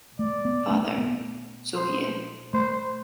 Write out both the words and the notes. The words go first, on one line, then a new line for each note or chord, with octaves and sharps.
Father — Zhou Yue.
A3 D5
B3
A3
B3
C5
A3 C5